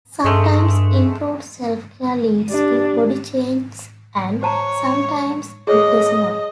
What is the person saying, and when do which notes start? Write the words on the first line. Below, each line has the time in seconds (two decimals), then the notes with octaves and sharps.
Sometimes improved self-care leads to body changes and sometimes it does not.
0.24 G2 G#3 A3
2.50 D4 G4
4.43 C5 C#5 A5 A#5
5.67 G#4 C#5 D#5